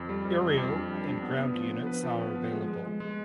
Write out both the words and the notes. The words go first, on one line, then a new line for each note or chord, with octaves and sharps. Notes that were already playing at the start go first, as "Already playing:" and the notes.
Aerial and ground units are available.
Already playing: F2
G3
F2
F2
F2
D4
G3
D4
B3
B3
F3
B3
B4
F3
B3
F3
G#3
G#3
G#3
G#3